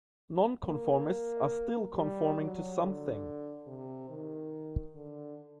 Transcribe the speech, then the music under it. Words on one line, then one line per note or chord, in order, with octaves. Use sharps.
Non-conformists are still conforming to something.
A#3
G3
F#3
D3
C3
D#3
D3